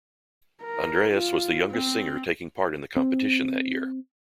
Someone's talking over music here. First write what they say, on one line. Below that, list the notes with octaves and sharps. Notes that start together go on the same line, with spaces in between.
Andreas was the youngest singer taking part in the competition that year.
A#4
F4
C4
C4